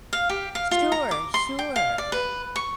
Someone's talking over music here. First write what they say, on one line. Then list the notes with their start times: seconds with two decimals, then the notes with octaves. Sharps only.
Sure, sure,
0.13 F5
0.29 G4
0.55 F5
0.71 F4
0.92 A#5
1.11 D6
1.34 C6
1.59 G5
1.76 F5
1.98 D5
2.12 B4
2.56 C#6